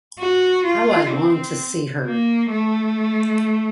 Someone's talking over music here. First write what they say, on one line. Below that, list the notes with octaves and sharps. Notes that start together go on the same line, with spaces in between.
How I long to see her!
F#4
F4
C4
A#3
A3